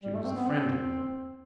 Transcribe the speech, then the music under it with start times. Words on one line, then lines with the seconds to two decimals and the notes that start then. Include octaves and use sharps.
She was a friendly woman.
0.04 G3
0.15 A3
0.25 C4
0.37 B3
0.47 C4